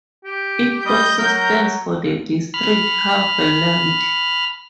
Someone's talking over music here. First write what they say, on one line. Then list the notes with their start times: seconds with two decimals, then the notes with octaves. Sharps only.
It also stands for the district Havelland.
0.24 G4
0.85 G3 D#5 G6
1.18 F#3 A#4
2.54 B5 F6